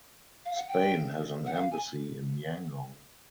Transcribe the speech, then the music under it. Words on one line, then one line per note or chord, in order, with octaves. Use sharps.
Spain has an embassy in Yangon.
F5
F#5
G5
F#5
F5
G#5